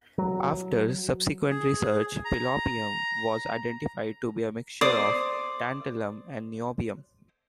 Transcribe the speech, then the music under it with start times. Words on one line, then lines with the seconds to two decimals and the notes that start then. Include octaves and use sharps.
After subsequent research pelopium was identified to be a mixture of tantalum and niobium.
0.18 F#3
1.50 G#4
2.25 A#5
4.81 C5 D5 D#6